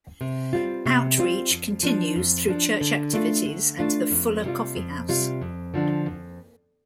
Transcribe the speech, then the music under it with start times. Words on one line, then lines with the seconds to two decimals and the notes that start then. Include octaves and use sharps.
Outreach continues through church activities and the Fuller Coffee House.
0.21 C3
0.53 G3 C4 F4
0.86 C3
1.18 G3 C4 F4
1.51 F2
1.83 F3 D4
2.16 F2
2.48 F3 D4
2.81 D3
3.13 A3 D4 F4
3.46 D3
3.79 A3 D4 F4
4.11 F2
4.44 C3 G3 F4
4.76 F2
5.08 C3 G3 F4
5.41 F2
5.74 D3 F3 D4
6.06 F2